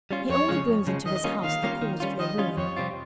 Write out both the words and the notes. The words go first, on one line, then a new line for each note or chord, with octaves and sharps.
He only brings into his house the cause of their ruin.
G3 C#4 F4
F2 C#5
C#3 F3 G#3 C#4
F2
C#3 F3 G#3 C#4
D#3 D#5
G3 A#3 C#4 F4
D#3 F5
G3 A#3 C#4 F4
D#3
G3 C#4 F4
D#3 D#5
G3 C#4 F4
F2 C#5
C3 G3 C4 F4